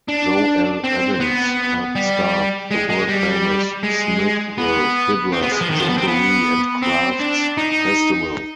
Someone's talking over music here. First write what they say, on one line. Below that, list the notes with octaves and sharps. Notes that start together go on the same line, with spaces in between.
Joe L. Evins helped start the world famous Smithville Fiddler's Jamboree and Crafts Festival.
D4
C4
B3
G3
G#3
G#3
G3
G#3
B3
C4
B3
G#3
F3
D#3
F3
B3
C4
B3
C4
D4
D#4